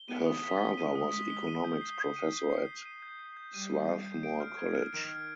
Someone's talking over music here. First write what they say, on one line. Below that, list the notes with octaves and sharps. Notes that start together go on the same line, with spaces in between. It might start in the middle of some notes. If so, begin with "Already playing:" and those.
Her father was economics professor at Swarthmore College.
Already playing: G7
B3 D#7
D#6
B6
G7
G#3 D#7
D#6
B6
G7
D#7
G6
C7
G6
D#7
G6
C7
G6
D#7
G6
C7
G6
G3 D#7
G6
C7
G6
D7
F6
G#6
F6
D#3 D7
F6